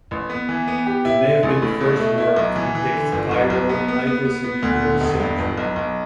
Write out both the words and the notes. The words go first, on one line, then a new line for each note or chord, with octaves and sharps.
It may have been the first work to depict chiral icosahedral symmetry.
A1
B3
E3
B3
G4
E4
D3
A1
A2
B2
A3
E4
B1
E3
E3
D3
G1
B1
B1
B3
B3
B3
B3
B3
D2
D3
E1
G2
G1
B1
B1